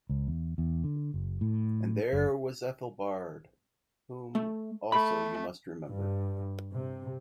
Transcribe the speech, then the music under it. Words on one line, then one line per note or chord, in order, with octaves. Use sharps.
And there was Ethel Baird, whom also you must remember.
C#2
E2
E2
D3
F#1
A2
F#1
A3
A3 B5
G2
C3